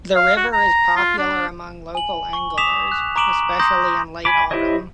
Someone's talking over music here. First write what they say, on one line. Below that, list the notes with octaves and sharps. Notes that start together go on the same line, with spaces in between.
The river is popular among local anglers, especially in late Autumn.
F5
F#4
A#5
F4
D4
G#5 F#7
C#6
D6 D#6 B6 E7 F7
F#6
A#5 C#6 D6 D7 E7 F#7
A#5 C6 D#6 G6 A#6
G#5 B5 D6
E4 G4 C5 C#5 D#5